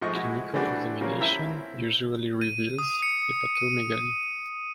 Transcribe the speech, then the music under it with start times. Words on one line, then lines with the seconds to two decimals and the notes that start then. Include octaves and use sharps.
Clinical examination usually reveals hepatomegaly.
0.01 G#2 F3 A3 D#5 C#6
0.14 G#3 E4 F#4
0.54 E3 G3 A3 C4 D4 F#4
1.01 C#3 F3 G3 A#3 C#4
1.20 A1 C4 E4 E5 A#5
2.41 D#7
2.78 D#6
3.02 C#7
3.55 D#7